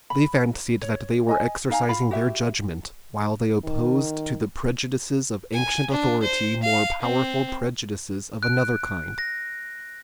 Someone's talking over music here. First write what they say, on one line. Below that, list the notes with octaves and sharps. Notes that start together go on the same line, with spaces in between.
They fancied that they were exercising their judgment, while they opposed to the prejudices of ancient authority more powerful prejudices of another kind.
B5
C#5
D#5 G#5
D#4 F5 G#5 A#5
F4 F5 B5
F#4 G4 E5
D#3
G#5
D4
C5
F5
C4
F#6 D7
A#6